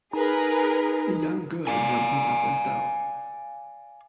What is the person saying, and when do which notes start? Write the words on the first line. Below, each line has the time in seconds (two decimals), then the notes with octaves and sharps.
A young girl jumping up and down.
0.13 D#4 G#4 A#4 B4
1.67 D5 F5 G#5